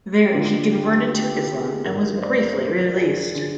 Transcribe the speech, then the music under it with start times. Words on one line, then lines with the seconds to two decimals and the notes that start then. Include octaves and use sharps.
There he converted to Islam and was briefly released.
0.25 G4
0.34 D#2 D3 F3 F4
0.71 G4
1.09 G4
1.34 G4
1.59 G#4
1.84 G2 D#3 A#4
2.17 C5
2.22 D5
2.36 A#4
2.41 C5
2.52 C5
2.59 A#4
2.97 G#4
3.34 D3 F3 G#4